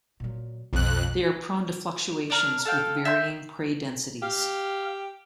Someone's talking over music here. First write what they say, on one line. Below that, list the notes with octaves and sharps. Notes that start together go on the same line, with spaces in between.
They are prone to fluctuations with varying prey densities.
A#2 F#3
B1 F2 B2 F#3 F#6
D4 A#4
A4 F5 G5
E5 G5 C6
G4 F5